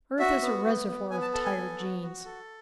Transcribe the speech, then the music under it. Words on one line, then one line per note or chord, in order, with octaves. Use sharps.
Earth is a reservoir of tired genes.
F#4 E5
B3
B3
B3
B3 G#5
A5
A4 A5
G#5
B3
F#4
F#4
A4